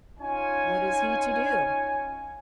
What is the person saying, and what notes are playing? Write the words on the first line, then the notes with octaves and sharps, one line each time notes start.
What is he to do?
C#4 D#4 F4 C#5 G#5